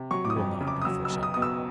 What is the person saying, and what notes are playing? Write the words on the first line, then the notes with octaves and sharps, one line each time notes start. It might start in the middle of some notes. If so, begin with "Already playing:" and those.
You will not be forsaken.'
Already playing: C3
F#3 C#6
D6
D#6
F2
C#3
D6
D#6
F#3 E6
E6
B1
D#6
B2 D#6
E6